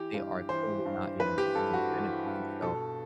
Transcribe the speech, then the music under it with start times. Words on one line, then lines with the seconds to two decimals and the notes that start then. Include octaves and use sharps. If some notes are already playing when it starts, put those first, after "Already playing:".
they are totally not, you know, reaping those benefits. And so,
Already playing: E3 G4
0.14 G2
0.49 E3 C5
0.86 G2
1.20 E3 B4
1.38 G4
1.55 G2 A4
1.73 F#4
1.91 E3
2.26 G2
2.62 B2 A4